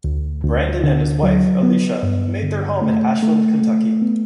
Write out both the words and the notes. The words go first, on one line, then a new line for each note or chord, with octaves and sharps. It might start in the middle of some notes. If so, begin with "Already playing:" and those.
Brandon and his wife, Alicia, make their home in Ashland, Kentucky.
D2
D2
D3
F#3
B3
G2
D3
A3
A3
A3
B3